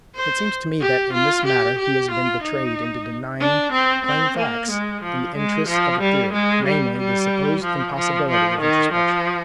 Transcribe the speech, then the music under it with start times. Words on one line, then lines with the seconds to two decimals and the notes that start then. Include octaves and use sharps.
It seems to me that in this matter he has been betrayed into denying plain facts in the interests of a theory, namely, the supposed impossibility of introspection.
0.16 C5
0.81 G4
1.13 F4
1.46 G4
1.78 G4
2.11 F4
2.43 D#4
3.40 D4
3.73 C4
4.06 C4
4.38 A#3
4.70 G#3
5.03 F3
5.36 G#3
5.68 F3
6.01 G3
6.33 G#3
6.65 G3
6.98 G3
7.63 F3
7.95 F3
8.28 F3
8.60 D#3
8.93 F3